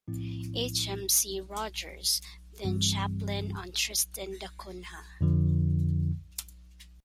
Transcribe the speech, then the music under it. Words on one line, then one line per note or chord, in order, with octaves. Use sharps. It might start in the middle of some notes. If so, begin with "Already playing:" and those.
H. M. C. Rogers, then chaplain on Tristan da Cunha.
A2 F3 C4 E4
G2 E3 G3 C4
F2 D3 F3